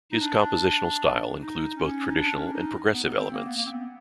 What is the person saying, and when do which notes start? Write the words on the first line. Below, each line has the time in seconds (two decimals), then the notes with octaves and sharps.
His compositional style includes both traditional and progressive elements.
0.12 D#4
0.20 D4
1.38 D#4
1.77 C#4
2.07 D#4
2.16 D4
2.36 C#4
2.45 D4
2.54 D#4
2.94 B3
3.04 B3
3.14 C4
3.33 A#3
3.45 B3
3.57 A#3
3.66 C4
3.71 B3